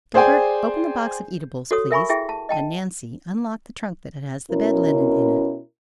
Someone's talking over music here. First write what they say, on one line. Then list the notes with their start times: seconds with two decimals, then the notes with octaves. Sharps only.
Gilbert, open the box of eatables, please; and, Nancy, unlock the trunk that has the bed linen in it.
0.14 G#4 C5 D5 G5 G#5
1.71 F#4 A4 C#5 D#6
1.91 A#4 E5 G#5 B5 C#6
2.09 E4 G#4 E5 G5
2.29 A5
2.49 D#5 G5 A5
4.50 B2 C#4 E4 A#4